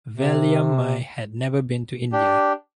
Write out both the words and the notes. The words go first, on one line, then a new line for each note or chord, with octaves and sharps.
Valliammai had never been to India.
C3
D4 G4